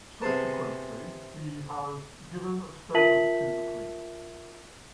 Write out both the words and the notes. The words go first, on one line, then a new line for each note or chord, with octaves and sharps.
Subsequently, he has given a statement to the police.
C3 B3 G#4 C5 A5
F4 A#4 E5 A5 B6 F#7